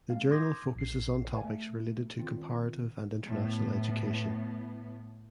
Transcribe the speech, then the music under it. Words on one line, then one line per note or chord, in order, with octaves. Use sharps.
The journal focuses on topics related to comparative and international education.
G#3 A#3 C4 F5
C6 D6 D#6 G6 G#6 A#6
A#1 C7
B4 D5 F5 G5 G#5
A3
D#3 C4 F4
A2 B3